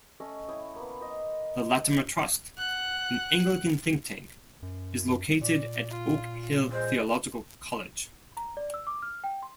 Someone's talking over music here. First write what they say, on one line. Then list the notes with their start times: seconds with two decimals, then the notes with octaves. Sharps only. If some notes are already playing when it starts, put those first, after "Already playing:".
The Latimer Trust, an Anglican think tank, is located at Oak Hill Theological College.
0.20 A3 C#4 D#5 E5
0.48 E4 C#5 G5 D#6
0.76 A#3 B3
1.01 C5 D#5
2.58 F#5 F#6
4.63 F#2
5.41 A#2 D5
5.90 F4
6.71 G#3 C5
8.37 A#5
8.57 D5
8.74 E6
8.87 D6
9.02 F6
9.24 G5
9.43 C6